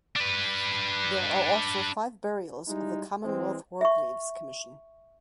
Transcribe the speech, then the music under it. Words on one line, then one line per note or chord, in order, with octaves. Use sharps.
There are also five burials of the Commonwealth War Graves Commission.
D4 B4
G3 G#3 D#4 E4
E3 G#3 C4
E5 C#6